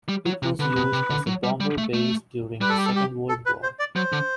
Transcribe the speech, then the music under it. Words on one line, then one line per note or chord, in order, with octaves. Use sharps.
It was used as a bomber base during the Second World War.
G3
F#3
C3
D3 B4
B2
C3
D3
F#3
G3
G3
A3
A3
G3 B4
A4
G4
A4
G4
A4
B4
C5
D5
F#3 C5
D3